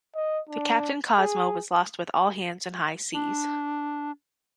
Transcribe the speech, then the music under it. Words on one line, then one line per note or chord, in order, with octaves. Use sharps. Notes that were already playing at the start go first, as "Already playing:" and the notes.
The "Captain Cosmo" was lost with all hands in high seas.
D#5
D4
G#4
D4